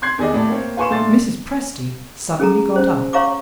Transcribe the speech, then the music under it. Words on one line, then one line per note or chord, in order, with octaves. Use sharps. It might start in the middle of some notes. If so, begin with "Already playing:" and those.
Mrs. Presty suddenly got up.
C6 F#6 G#6 C7
E2 D#3 G4 G#4 D5 D#5
A2 D5 A5
A#3 C4 C#5
F4 B4 G#5 C6 C#6 E7
A#2 A3 D4 C6 A6
C#4 G#4 A4 A#5
C#4 C5
C#5 F5 A#5 C#6 D6